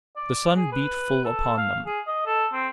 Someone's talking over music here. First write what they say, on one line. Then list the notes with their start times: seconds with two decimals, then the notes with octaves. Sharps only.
The sun beat full upon them.
0.16 D5
0.56 G#4
0.72 B4
1.25 A4
1.57 F5
1.86 G#4
2.07 D#5
2.26 A4
2.53 C4